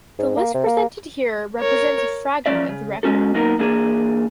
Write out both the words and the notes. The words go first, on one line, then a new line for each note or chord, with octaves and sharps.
The list presented here represents a fragment of the record.
G#2
A#3
C3
A#3
A#4 C#5
E3 F3 C#4 D5 E5
C#3
B2 G#3 C#4 F#4 A4
F#3 A#3 B3 D#4 A#4
E3 A#3 D4 G#4